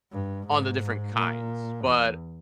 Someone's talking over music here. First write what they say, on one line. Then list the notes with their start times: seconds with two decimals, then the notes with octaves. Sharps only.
on the different kinds, but
0.11 G2
0.46 G#2
1.14 A#2
1.82 E2